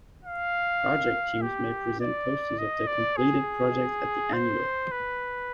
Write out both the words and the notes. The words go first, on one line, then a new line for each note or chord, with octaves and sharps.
Project teams may present posters of their completed projects at the Annual.
F5
G4
D5
D#5
D5
G#4
C5
B4